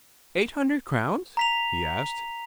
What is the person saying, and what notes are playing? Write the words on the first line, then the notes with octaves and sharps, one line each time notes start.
"Eight hundred crowns?" he asked.
A#5 B6 F7